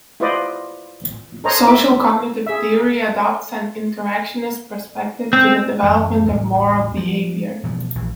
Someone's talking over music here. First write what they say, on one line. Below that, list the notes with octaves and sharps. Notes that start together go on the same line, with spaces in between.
Social cognitive theory adopts an "interactionist" perspective to the development of moral behavior.
E4 F4 B4 C5 D5 D#5
A4 A#4 C5 C#5 D#5 A#5
E4 E5 D6
G#4 E5
C4
F#2 E3
E2 A2
F3
B2 E3 F3 G3
A#1 E3